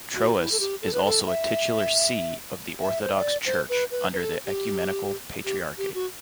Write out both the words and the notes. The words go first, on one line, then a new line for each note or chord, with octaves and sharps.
Troas is also a titular see of the Orthodox Church under the Ecumenical Patriarchate.
F#4
E4
A4
G4
A4
B4
A4
E5
E5
C5
E5
D5
C5
B4
B4
B4
A4
G4
G4
G4
F#4